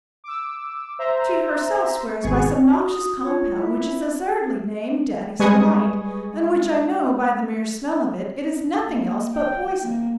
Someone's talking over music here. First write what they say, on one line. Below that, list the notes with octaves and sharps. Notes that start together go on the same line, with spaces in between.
She herself swears by some noxious compound, which is absurdly named "Daddy's Delight," and which I know, by the mere smell of it, is nothing else but poison.
D6 E6
C5 E5 A#5
G#1 B2 G#4 C#6
F#4
D#6
F4 C#5
E4
G3 G#3 B4 G#5 C#6 D#6
A#3
G5
A#3